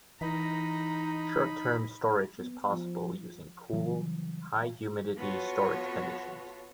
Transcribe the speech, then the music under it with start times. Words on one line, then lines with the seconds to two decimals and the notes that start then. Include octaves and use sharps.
Short-term storage is possible using cool, high-humidity storage conditions.
0.21 E3 D#4 A#5 B5
2.39 B3
2.70 F3
3.73 C#3 E3 F#3 G3
5.16 B3 F4 F#4 A4 C#5